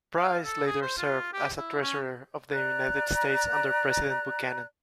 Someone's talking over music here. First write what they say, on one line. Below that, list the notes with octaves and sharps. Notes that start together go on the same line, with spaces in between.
Price later served as treasurer of the United States under President Buchanan.
F5
A4
G#4
C5
F4
G4
E4
C#4
D5 A#5 F#6